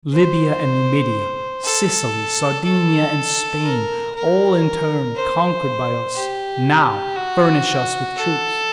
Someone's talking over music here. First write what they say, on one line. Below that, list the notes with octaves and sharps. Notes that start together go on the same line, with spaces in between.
Libya and Numidia, Sicily, Sardinia, and Spain, all in turn conquered by us, now furnish us with troops.
C5
A4
A4
A#4
A#4
C5
G4
F#4
A4